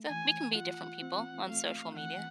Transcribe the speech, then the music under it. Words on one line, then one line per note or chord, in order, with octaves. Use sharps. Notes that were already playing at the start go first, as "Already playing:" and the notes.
So we can be different people on social media,
Already playing: A3
E3 G#5
F4 F#5
C4
A3 F5
E3 F#5